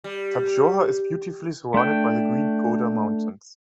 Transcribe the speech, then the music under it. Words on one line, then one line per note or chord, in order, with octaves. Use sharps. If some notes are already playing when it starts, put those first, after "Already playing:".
Tadjoura is beautifully surrounded by the green Goda Mountains.
G3
A3 D4 G5